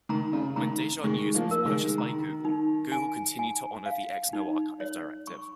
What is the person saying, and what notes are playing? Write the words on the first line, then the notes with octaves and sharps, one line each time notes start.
When DejaNews was purchased by Google, Google continued to honor the X-No-Archive directive.
D#3 A#5
C#3
D#3 A#5
D#3 G#3 C#6
F3 A#3
A#4
D#3 G#3
D#3 A#5
D#4
G#5
G#5
F5
D#4
C#5
C#6